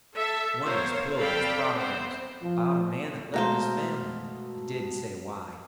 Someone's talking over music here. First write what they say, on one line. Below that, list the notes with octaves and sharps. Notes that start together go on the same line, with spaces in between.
One was Pilgrim's Progress, about a man that left his family, it didn't say why.
A4 E5 A5
B3 F4 A#4 C5 C#5
C4 A4 D5 F5 G5 B5
B3 C4 C5
F3
B2 G#3 A3 C5 F5 A#5